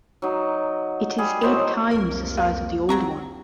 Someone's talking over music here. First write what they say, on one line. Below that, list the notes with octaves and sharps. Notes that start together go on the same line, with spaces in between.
It is eight times the size of the old one.
F#3 D#4
G3 G#4
A2 F#3 C5 D#5
C2 F2 A#3 A#4
F5
F#3 C4 A#5 C#6